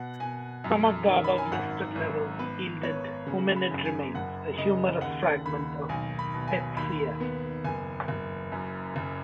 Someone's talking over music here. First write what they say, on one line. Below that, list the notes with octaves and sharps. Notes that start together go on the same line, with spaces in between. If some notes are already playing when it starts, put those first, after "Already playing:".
Some of the above-listed levels yielded hominid remains: a humerus fragment of H. cf.
Already playing: B2 F#5
B2 G#5
F#2
D#3
B5
G#5
G#1 F#5
G#1
B3 B4
B3 C#5
C#3
B5
F#2
G#5
F#1 F#5
C#3 D#5
D#2 F#5
D#2 B5
B1 G#5
B5
B2
G#5
D#2 B5
B3
F#1 G#5
F#1
F#2
F#1